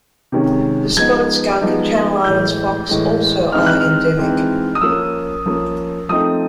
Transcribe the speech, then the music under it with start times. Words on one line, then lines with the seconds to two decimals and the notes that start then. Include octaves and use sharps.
The spotted skunk and Channel Islands fox also are endemic.
0.32 C3 D#3 G#3 C#4
0.97 F3 G#3 B3 D#4 G#6
1.61 F3 G#3 B3 D#4
2.24 A2 E3 G#3 G6
2.89 A2 E3 G#3
3.52 E3 G#3 C4 D#4 F6
3.66 F#6
3.80 F6
4.17 E3 G#3 C4 D#4
4.75 D#6
4.81 F3 A#3 C#4 E6
5.46 F3 A#3 C#4
6.09 F3 A3 C4 D#4 D#6